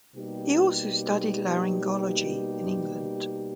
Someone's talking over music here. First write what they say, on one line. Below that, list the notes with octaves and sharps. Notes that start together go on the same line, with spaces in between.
He also studied laryngology in England.
B2 G3 A#3 D#4 G4